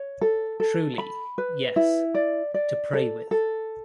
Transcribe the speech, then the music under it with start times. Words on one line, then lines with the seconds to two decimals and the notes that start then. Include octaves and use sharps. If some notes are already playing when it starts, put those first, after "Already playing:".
Truly, yes, to pray with.
Already playing: C#5
0.21 A4
0.60 A4
0.98 B5
1.38 B4
1.76 E4
2.15 D5
2.54 D5
2.93 A4
3.31 A4